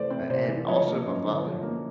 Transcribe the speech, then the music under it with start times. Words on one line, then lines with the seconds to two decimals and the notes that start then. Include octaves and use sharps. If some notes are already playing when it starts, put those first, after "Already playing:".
and also my father,
Already playing: C3 E3 A3 C5 D5
0.10 C4
0.30 C3 C5 D5
0.48 E3
0.68 F3 C#5 D#5
0.87 A#3
1.06 F#2
1.24 D3
1.44 F3
1.63 A#3